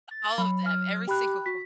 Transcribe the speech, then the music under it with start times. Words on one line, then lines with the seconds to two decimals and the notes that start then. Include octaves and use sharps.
All of them, every single one,
0.11 A6
0.38 F#3 B5
0.66 F6
1.07 G4 G5 B5 F#6
1.46 F#4 B6